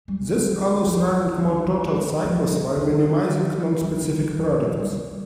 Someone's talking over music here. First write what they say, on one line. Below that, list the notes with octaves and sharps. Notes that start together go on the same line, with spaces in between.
This allows running more total cycles while minimizing non-specific products.
G3
G#3
G3
D#3
F3
G3
F3
D#3
G3
G#3
F3
G3
D#3
G3
F3
D#3
F3
G#3
G3
D#3